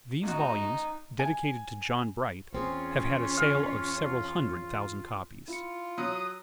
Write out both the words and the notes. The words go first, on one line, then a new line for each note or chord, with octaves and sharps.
These volumes, dedicated to John Bright, have had a sale of several hundred thousand copies.
A1 D#4 F#4
G#5
E2 C4 C#4 F4 G#4 C#5
F5
E4 F4 C#7
F#3 D#6